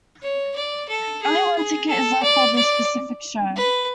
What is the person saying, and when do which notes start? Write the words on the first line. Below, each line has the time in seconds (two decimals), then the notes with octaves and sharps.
Only one ticket is left for the specific show.
0.22 C#5
0.55 D5
0.89 A4
1.22 G#4
1.56 G#4
1.89 A4
2.23 D5
2.56 D5
3.56 B4